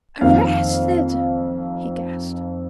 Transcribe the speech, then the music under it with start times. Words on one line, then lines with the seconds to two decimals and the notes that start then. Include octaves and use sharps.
"Arrested!" he gasped.
0.21 F2 D#3 A#3 F5